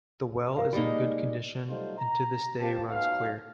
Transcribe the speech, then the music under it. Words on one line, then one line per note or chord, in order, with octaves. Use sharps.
The well is in good condition and to this day runs clear.
A#4 F5
G3 G#3 A#3 D#4 B5
F#3 G3 A3 D#4 F4 C5
A#5
C4 F4 G4 A5
B1 F5